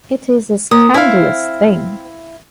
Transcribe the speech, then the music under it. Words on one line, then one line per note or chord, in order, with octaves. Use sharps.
It is a scandalous thing!
A#3 D#6
C4 E4 C5 F5